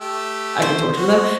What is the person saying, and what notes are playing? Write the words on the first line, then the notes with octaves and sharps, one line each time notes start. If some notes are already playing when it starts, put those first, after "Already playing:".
I could torture them,
A3 G4 E6
C5
F#4